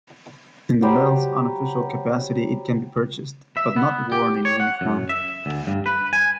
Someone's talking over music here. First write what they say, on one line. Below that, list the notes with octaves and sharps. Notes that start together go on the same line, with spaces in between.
In the medal's unofficial capacity it can be purchased, but not worn in uniform.
F#3 G3 G4 C5
E5
B3
G4
C#5
F#5
F#2
E5
D2
G2
B4
G#5